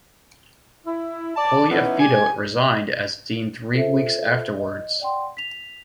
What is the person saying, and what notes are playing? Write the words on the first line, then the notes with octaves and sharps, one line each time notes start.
Puliafito resigned as dean three weeks afterwards.
E4
D5 A5
E3 B3 C#4 D#4 E4
G4 G#4 G#5
F4 A4 C5 E5
D#5
D5 F#5 G5 C6
B6 F7